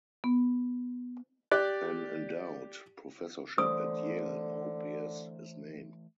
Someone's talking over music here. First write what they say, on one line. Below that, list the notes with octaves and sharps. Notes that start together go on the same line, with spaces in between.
An endowed professorship at Yale now bears his name.
B3
G4 D5 F#6
D3 E3 A3 C5 D#6